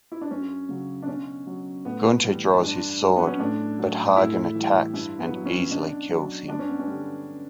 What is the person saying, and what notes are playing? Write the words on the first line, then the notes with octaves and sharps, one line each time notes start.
Gunther draws his sword but Hagen attacks and easily kills him.
E4
D4
F#2 C#4
C#3 F#3
D4
B2 C#4
F#3
A2 B3
E3 G3
G2 D4
F#3
B3
C#4
A2 D4
F#3
A2 E4
E3 G3
G2 E4
B3
F#3
C#4
B2 D4
F#3
G2 D4
C#4
B3
C#4
D3 G3